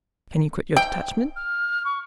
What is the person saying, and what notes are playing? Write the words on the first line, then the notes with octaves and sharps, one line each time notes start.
"Can you quit your detachment?"
G5
F6
C#6